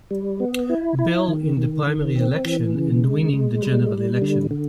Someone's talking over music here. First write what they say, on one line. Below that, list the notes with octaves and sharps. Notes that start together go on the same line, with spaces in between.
Bell in the primary election and winning the general election.
G3
B3
E4
E4
D#3
D#3
D#3
C4
E3
C#3
G#3
G#3
G3
G3
D3
D3